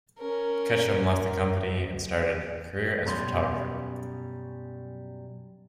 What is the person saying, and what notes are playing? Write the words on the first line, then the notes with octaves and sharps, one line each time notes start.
Ketchum left the company and started a career as photographer.
C#4 A#4
F#2 B2 G3 C#4 A#5 C6